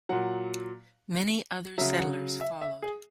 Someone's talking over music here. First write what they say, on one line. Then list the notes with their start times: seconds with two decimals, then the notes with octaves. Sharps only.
Many other settlers followed.
0.09 A#2 F#3 F#5
1.78 C#3 F#3 E5
1.99 F#5
2.41 E5
2.61 E5
2.82 G#4